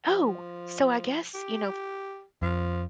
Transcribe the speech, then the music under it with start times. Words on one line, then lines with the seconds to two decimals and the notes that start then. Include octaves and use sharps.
oh, so I guess, you know,
0.07 F3
1.34 G4
2.42 F2 F3